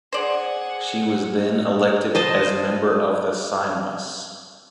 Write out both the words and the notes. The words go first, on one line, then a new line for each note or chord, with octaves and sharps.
She was then elected as Member of the Seimas.
G#4 C5 D5 F#5
C5 D#5 A5